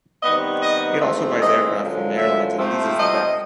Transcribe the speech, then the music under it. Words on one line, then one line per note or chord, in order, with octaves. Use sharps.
It also buys aircraft from airlines and leases them back.
C3 D#3 G3 B3 D#5
D#5
G#2 E3 A3 C4
D#5
F#2 D3 F3
E5
C3 F3 A3 C4
D#5